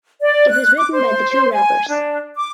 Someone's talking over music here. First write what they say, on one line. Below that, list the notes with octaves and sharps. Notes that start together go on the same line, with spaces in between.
It was written by the two rappers.
D5
F#6
D6
C5
G#5
D4
D6